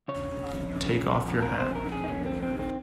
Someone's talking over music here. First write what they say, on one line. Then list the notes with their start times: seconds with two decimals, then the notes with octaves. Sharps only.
Take off your hat.
0.08 C#3 C#5
0.31 C#3
0.54 F2
0.76 C#3
0.97 F2
1.20 F2
1.42 C3 A#4
1.59 C5
1.64 F2
1.75 A#4
1.87 F2
1.92 G#4
2.04 D#4
2.09 F2 C#4
2.26 C4
2.31 F2
2.43 C4
2.54 D#3
2.59 C4